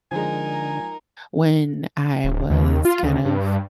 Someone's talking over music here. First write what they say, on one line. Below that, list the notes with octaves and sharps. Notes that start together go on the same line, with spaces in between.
when I was kind of
D3 F3 G#3 D#4 A#4 G#5
D1
D#2
F4
D2
G2